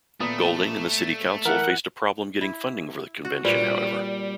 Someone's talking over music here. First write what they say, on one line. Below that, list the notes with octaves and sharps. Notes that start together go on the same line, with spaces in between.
Golding and the city council faced a problem getting funding for the convention, however.
A#2 A3 B3 D#6
E3 A#4 F#5
E4
F#4
A#2 G3 B4 C5